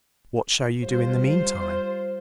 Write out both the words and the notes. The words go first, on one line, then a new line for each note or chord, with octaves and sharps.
'What shall you do in the meantime?'
G3 F4 C5